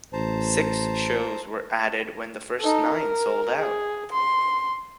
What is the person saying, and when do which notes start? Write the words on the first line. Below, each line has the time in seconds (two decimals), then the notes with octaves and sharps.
Six shows were added when the first nine sold out.
0.13 A1 C5 A5 A#5
2.60 D#4 A4
2.90 A#4
3.58 G#4
4.12 C6